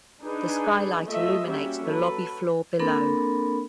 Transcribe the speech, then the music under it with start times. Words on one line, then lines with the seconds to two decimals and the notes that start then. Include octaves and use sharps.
The skylight illuminates the lobby floor below.
0.22 D4 D#4 G#4 B4 G#5
1.04 A3 A#3 F4 D#5 E5
1.46 G3 A#3 C#4 F#4 G4 E5
1.83 F#3 A4 B4
2.80 A#3 C4 D4 A4 A#4 B5